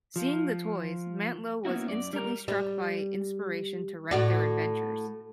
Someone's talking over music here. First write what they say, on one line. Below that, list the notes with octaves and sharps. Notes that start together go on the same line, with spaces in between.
Seeing the toys, Mantlo was instantly struck by inspiration to write their adventures.
F3
A#3 B3 C#4 E4 F#4
F#2 D5
G3 A#4
G3
A2 F#4 D5